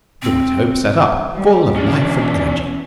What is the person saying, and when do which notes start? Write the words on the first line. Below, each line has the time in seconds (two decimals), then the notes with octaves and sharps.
The White Hope sat up, full of life and energy.
0.22 C4
1.34 G3
1.76 B2 E3 C#4 D4